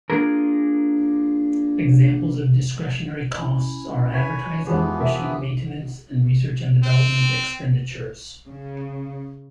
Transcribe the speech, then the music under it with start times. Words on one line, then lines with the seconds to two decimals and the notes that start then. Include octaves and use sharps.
Examples of discretionary costs are advertising, machine maintenance, and research and development expenditures.
0.10 A#3 D4 F4 G#4 A#4
3.38 C#4 E4
4.13 B4 C#5 G#5 B6
4.67 F2 E3 F3 G#3 B3 G4
5.00 A#4 E5
6.83 C4
8.48 C#3